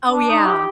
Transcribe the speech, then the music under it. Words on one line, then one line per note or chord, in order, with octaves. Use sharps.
Oh, yeah,
D4
D#4
G4